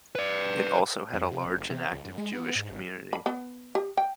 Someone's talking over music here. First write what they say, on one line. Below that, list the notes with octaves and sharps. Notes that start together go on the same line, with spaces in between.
It also had a large and active Jewish community.
B4 D5
F2
C3
F#1
C3
C#2
F#2
G#3
B3
G#2
G#1
B5
B3
G4
G5